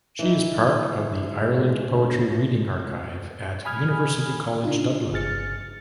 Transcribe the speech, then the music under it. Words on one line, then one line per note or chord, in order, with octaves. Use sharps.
She is part of the Ireland Poetry Reading Archive at University College Dublin.
E3 D#4
G#2 C#3 G#3
D2 A2
G#5 B5 D#6 F6 G#6
C#3 D4 D#4 F4
G1 G#4 F6 A6 C#7